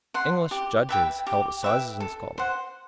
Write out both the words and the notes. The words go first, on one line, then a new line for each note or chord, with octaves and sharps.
English judges held assizes in Scotland.
F#5 C6
G4
B4 E5 G5
G4
B4 E5 G5
A4
C5 F#5